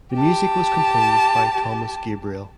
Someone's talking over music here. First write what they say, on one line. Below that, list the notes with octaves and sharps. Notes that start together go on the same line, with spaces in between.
The music was composed by Thomas Gabriel.
G4 A5